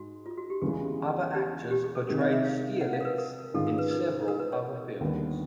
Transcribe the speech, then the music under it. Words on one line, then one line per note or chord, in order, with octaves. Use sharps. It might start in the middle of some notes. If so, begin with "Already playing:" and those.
Other actors portrayed Stierlitz in several other films.
Already playing: G#2 F#4
F4
F#4
G4
E2 C#3 E3 G#3 G#4
G4
G4
G#4
A4
C3 D#3 G#3 C4 A#4
D#5
E5
F5
F#5
F5
A#4
B4
A#4
G#2 D#3 G#3 C#4 F4 A4
A#4
B4
B4
A#4
B4
C#5
D#2 D3 G3 B3